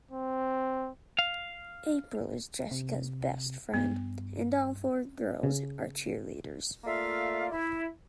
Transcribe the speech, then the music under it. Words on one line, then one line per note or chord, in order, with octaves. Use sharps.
April is Jessica's best friend, and all four girls are cheerleaders.
C4
F5
C3
G2 B3
C#3
A3 A#3 F4 D5 E5 F5
E4